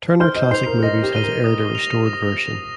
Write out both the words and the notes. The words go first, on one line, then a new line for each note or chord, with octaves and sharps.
Turner Classic Movies has aired a restored version.
C5 F6
D#5
C5 C7 F7
A#4
D#5 A#6
G4
D#7 G7
A#4
D#6
A#6 F7
D#6
A#6 F7